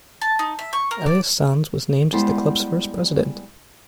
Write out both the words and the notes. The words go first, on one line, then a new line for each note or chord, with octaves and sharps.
Elias Sanz was named as the club's first president.
A5
D#4
E5
C#6
A#4
D5
G3 G#3 B3 E4 C5